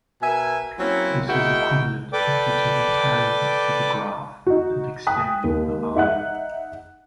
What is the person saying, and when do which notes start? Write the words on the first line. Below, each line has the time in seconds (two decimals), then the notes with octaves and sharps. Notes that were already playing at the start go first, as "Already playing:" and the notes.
This is equivalent to fitting a tangent to the graph and extending the line.
0.22 B2 A#4 E5 G#5
0.79 F#3 A#3 C4 C#4 E4
1.28 G#3 D#4 E4 F#4 A#4 G5
2.13 A4 B4 D5 G5 D6
4.47 D#4 F#4
5.07 G5 G#5 D#6 F#6 B6
5.44 D#2
5.95 D#4 E5 F#5 F#6